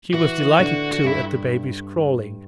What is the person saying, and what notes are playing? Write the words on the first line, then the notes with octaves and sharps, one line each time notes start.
She was delighted, too, at the baby's crawling.
E3 F#4
D3
F#4
G2 E4